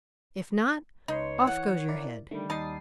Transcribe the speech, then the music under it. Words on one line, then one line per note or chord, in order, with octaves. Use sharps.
If not, off goes your head.'
C#2 D#4 B4 C#5 C6
E3 F#5
E4 A#4 D5
D3 D#3 G3 A3
D#2 D#4 A5 D#6 C7